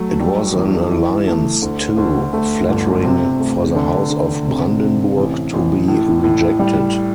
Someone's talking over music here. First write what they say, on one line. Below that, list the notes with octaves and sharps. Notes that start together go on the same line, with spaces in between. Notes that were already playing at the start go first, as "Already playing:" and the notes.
It was an alliance too flattering for the House of Brandenburg to be rejected.
Already playing: F#3 A3
G3
E2
E4
A3
D2
D2
A3
G1
C3
A3
D3
D3
C3
C3
A1
A1
A2
A2
G3